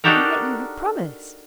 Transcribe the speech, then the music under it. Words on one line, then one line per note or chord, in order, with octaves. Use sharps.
"And yet you have promised?"
D4 D#4 F#4 G4 A4 A#4